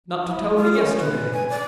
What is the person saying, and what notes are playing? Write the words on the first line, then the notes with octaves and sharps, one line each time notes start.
Not to tell me yesterday!
E4
F4
C#4
B4
G#5
D5